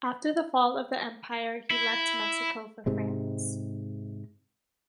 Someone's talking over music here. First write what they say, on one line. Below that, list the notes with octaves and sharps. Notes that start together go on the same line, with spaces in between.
After the fall of the Empire he left Mexico for France.
E4
G#2 C3 G#3